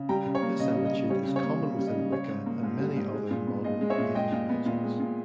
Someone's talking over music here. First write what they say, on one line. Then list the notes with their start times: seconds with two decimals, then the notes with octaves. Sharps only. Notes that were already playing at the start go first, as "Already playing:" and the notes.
This attitude is common within Wicca and many other modern pagan religions.
Already playing: C#3
0.09 G3 G5 A#5
0.26 C#3
0.35 C#5
0.43 A#3
0.60 C#3 D#5
0.76 G3
0.85 D#5
0.93 C#3
1.10 G3 C#5
1.28 C#3
1.36 C#5
1.44 A#3
1.61 C#3
1.78 G3
1.87 D#5
1.95 C#3
2.12 G3 C#5
2.29 G#2
2.46 A#3
2.63 G#2
2.79 G3
2.97 G#2
3.14 G#3
3.31 A#2
3.47 B3
3.64 A#2 D#5
3.81 G#3
3.90 C#5 E5
3.98 A#2
4.15 G#3 D#5 G5
4.32 A#2
4.49 B3
4.66 A#2
4.83 G#3
5.00 A#2